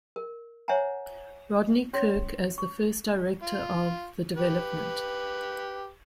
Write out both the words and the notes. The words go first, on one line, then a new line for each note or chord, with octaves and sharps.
Rodney Kirk as the first Director of the Development.
A#4
C5 C#5 E5 F#5 G#5 A#5
C#4 C#5 C6
C#6
F4
G4 B4